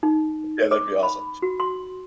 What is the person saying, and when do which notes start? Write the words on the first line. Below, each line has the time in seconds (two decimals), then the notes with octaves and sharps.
yeah that'd be awesome.
0.03 D#4
0.71 D6
1.03 B5
1.42 F#4
1.60 C6